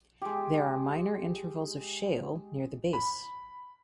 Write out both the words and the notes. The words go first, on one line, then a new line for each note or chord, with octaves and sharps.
There are minor intervals of shale near the base.
G#3 G4
B5